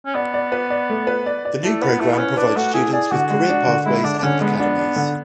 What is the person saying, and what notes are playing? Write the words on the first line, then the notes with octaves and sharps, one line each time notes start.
The new program provides students with career pathways and academies.
C#4
B3 D5
D5
B4
D5
A3
B4
D5
D5
A3 E4
B3 B4
A3 E4
B3
C#4 B4
D4 B4
A3 F#4
E4 G#4
G#4 D5
D3 F#4
G#3
D4
D3
G#3 E4
D3 D4
D4
D3 C#4
G#3 B3
D4
D4
D3